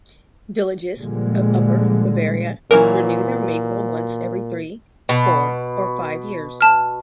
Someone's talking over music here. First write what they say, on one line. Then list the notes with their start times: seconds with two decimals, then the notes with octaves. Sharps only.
Villages of Upper Bavaria renew their Maypole once every three, four, or five years.
0.98 A#2 D3 F3 G3 G#3
2.71 A#2 E3 F#3 C#4 A#4
5.09 B2
6.61 A5 F6